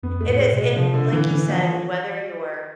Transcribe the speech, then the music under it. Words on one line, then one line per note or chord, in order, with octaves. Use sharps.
It is, and like you said, whether you're,
F2 B3
A3
A2
G#3
B2
G#3
C3 F3
D3
D3 E3
E3
E3 F3